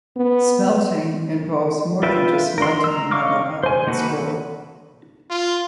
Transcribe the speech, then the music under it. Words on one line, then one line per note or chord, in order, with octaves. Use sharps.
Smelting involves more than just melting the metal out of its ore.
B3
F4 B4 E5 G5
A#4 C6
A#5 E6
D#5 F5 C#6 D6 F6
C5 G#5
D#3 A#3 F#4 A4 B4
F4